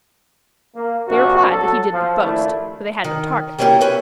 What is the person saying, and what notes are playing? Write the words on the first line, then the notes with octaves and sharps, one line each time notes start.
They replied that he did but boast, for they had no target.
A#3
A#1 C3 D4 F#4
F#3 A4
F3
D#2 A#2 A3 D4 E4
D#3
G3 A#3 C#4 E4 F#4 G4
C#4 B4 E5